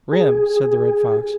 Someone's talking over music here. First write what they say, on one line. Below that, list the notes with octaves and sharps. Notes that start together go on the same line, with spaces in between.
"Rim," said the Red Fox.
G#4